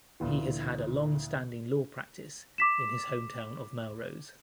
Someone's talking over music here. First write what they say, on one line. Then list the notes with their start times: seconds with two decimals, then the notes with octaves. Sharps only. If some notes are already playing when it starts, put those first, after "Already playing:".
He has had a longstanding law practice in his hometown of Melrose.
0.20 D2 A#2 E3
2.58 D6 B6 E7